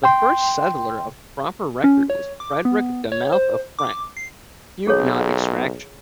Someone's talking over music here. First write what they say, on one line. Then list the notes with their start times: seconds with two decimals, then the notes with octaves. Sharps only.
The first settler of proper record was Frederick DeMouth of French Huguenot extraction.
0.04 G5 C6
1.84 C#4
2.10 C#5
2.40 D6
2.65 B3
3.12 C#5
3.32 C5
3.79 D6
4.17 C7
4.87 B1 G#4 A4 C#5